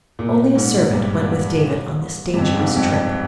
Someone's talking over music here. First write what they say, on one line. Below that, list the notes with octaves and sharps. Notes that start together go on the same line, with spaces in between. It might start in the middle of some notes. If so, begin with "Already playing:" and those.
Only a servant went with David on this dangerous trip.
A#2
G#2
G2
G2
F2
G#2
G2
F2